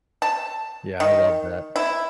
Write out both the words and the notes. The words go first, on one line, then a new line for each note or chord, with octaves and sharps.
Yeah, I love that.
A5
D#3
E4